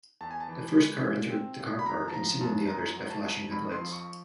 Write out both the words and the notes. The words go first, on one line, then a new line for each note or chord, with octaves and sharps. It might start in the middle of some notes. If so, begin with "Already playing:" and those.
The first car entered the car park and signaled the others by flashing headlights.
E2 A5
G#5
A5
E3
G#3
A#2
C4
A#2
B5
F#2 A#5
A5
F3 A#5
F#2 A5
F#2 A#5
F#3
A5
F#2
F2 B5
C6
F3
C#6